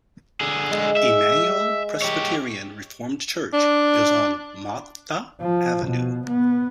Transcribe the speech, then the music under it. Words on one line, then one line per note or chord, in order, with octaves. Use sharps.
Emmanuel Presbyterian Reformed Church is on Martha Avenue.
D3 G#4
G#3
E5
G4 C#5
D4
F3
B2
B3